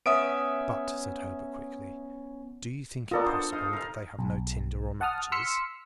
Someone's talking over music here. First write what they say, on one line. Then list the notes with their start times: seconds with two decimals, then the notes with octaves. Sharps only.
"But," said Herbert quickly, "do you think it possible that they have no tinder or matches?"
0.06 B3 C#4 E5 D#6 D7
3.11 B3 F4 A4 A#4 D5 D#5
3.24 D4 C5
3.52 D#4 D#5 F5
3.73 A#4 F5
4.19 B1
5.01 F#5 A5 D#6 F6
5.32 C6 E6 F6 B6 C#7